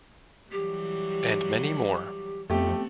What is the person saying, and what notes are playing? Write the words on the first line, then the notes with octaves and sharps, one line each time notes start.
And many more.
E3 F#3 G3 G4
F2 A3 B3 C4 G4